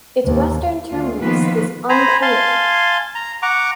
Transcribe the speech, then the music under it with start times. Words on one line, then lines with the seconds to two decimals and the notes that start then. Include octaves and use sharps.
Its western terminus is unclear.
0.22 D#2
0.89 D2 F4
1.21 D#3 F3 A#3 B3 F4 B4
1.89 C5 G#5 A#5 B5
2.22 F5 G#5 A5 C6
3.15 A#5
3.42 F#5 A#5 C#6 D6